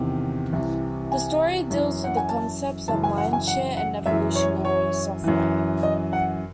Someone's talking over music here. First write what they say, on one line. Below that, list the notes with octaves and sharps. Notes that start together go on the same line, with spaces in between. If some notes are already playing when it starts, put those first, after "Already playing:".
The story deals with the concepts of mindshare and evolutionary software.
Already playing: E2 C3 D#3
C2 C3 E3
G#5
F#2 E3
F#5
G#5
A5
F#2 C#3 E3 A5
G#5
F#5
G#5
F#5
F#5
F#2 E3 E5
C#5
C#5
F#2 E3
D#5
F#5